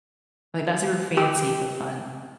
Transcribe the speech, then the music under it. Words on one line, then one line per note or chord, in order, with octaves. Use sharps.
like, not super fancy, but fun.
G4